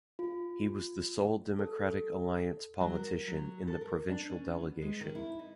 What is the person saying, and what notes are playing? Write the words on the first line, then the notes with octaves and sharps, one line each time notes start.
He was the sole Democratic Alliance politician in the provincial delegation.
F4
A4
F#3
A#4
F#3
A4
A#4
D4
C#4
B3
G#3
D#3
E4
D#4